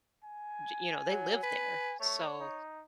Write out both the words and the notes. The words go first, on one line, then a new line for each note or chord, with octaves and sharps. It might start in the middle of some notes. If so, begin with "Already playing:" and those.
j you know, they live there, so
G#5
F#3
B4
A3 C#5
D#4